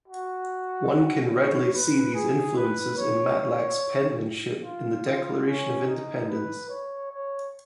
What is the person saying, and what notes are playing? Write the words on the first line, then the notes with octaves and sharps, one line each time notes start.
One can readily see these influences in Matlack's penmanship in the Declaration of Independence.
F#4
C#5
B4
G#4
B4
C#5
C#5
F4
C#4
D#4
B4
C#5
C#5